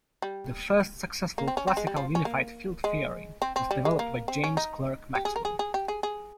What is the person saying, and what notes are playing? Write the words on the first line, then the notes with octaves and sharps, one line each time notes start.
The first successful classical unified field theory was developed by James Clerk Maxwell.
G3
A#3
C4
C#4
C4
G#3
G3
F3
C#4
A#3
G#3
C4
C4
G3
G#3
A#3
C4
C#4
D#4
G4
G#4
A#4
G#4
G#4
G4
G#4
G#4